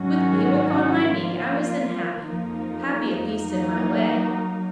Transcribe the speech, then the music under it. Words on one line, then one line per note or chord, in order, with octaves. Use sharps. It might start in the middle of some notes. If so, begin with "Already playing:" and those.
With Bewick on my knee, I was then happy: happy at least in my way.
Already playing: G#2 D#3 F#3 C#4 F#4
F3 A#3 F4
F2 F3 A#3 D#4
F#3 A#3 D#4